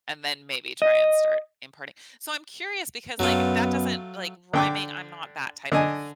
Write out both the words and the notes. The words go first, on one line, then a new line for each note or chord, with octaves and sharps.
and then maybe try and start imparting So, I'm curious because, like, that doesn't like, rhyming I'm not that type of
D#5
F#2 F#3 A3 B3 F4
D3 G5 D6
D3 D#5 G#5